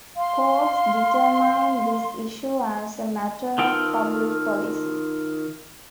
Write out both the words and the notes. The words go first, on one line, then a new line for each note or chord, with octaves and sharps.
Courts determine this issue as a matter of public policy.
F5 C6
D#3 F4 A4 G5